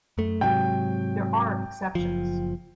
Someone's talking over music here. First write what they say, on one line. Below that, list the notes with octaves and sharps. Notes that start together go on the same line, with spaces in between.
There are exceptions.
F#2 A3
G#2 C3 F#3 G5
F#1 F3